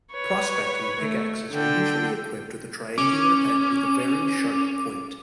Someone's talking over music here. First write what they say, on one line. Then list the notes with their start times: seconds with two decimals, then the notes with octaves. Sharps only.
Prospecting pickaxes are usually equipped with a triangular head, with a very sharp point.
0.13 B4 C#5
1.00 A3
1.52 D3 G5
2.98 C#4 D6